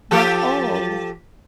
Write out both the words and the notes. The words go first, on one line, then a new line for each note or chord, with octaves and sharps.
But oh!
F3 G4 A4